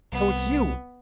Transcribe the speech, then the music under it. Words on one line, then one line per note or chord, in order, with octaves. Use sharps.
"So it's you!"
C2 B3